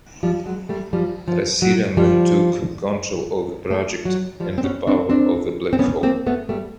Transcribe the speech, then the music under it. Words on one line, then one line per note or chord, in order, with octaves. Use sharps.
Rassilon then took control of the project, and the power of the black hole.
F3 G3
F#3 G#3
G3 A3
F3 G3
F3
F#3
F3 G3
G3 A3
F#3
F3 G3
C4
B3 C#4
C4 D4
C4 D4
C4
B3 C#4
A#3 C4
A3 B3
G3 A3